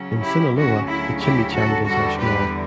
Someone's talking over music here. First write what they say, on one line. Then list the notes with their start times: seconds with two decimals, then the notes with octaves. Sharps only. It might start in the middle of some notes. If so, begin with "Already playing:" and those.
In Sinaloa, the chimichangas are small.
Already playing: C#3 F#3 C#4
0.23 E4 G4
0.55 D2 C#3 F#3 C#4 F#4
0.87 E4
1.20 E4 G4
1.53 F#4 A4
1.85 E2 D3 G3 F#4 A4
2.18 G4 B4